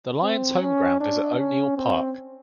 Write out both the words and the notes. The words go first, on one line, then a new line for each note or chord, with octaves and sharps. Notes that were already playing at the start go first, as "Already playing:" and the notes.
The Lions' home-ground is at O'Neill Park.
C4
C#4
D4
C#4
C4